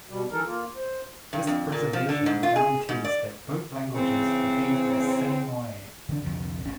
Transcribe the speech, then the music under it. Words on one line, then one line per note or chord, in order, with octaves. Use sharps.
This preservation guarantees that both languages behave the same way.
B2 G3
D#3 E3 D#4 A4 A#4
A#3 F4
C5
G2
F2
A#2
F3
D3
G#2
F4
G#4
G#2
D5
C#3 E3 C4
D3 E3 A3 D4
C2 F2 D3 F3
G#1 C#4